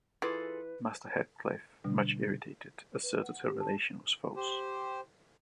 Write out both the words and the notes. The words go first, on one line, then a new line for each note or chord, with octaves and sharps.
Master Heathcliff, much irritated, asserted her relation was false.
E3 F4 G#4 A4 B4
B2 D3 G3 D4
B4
F#5
G4
A5
G4 C5